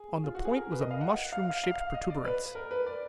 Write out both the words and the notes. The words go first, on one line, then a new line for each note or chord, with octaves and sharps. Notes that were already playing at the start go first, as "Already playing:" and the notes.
On the point was a mushroom shaped protuberance.
Already playing: G#4
F4
F#4
G#4
A#4
B4
D#5
F5
F#5
F5
F5
D#5
D5
B4
A#4
B4
D5